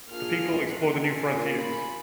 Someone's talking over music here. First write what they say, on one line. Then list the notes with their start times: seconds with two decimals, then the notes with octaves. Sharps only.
The people explore the new frontiers.
0.11 A#3 D4 F4 G#4 F6
0.69 A#3 D4 F#4 F#6
0.98 G#5
1.27 A#3 F4 G#4
1.56 B5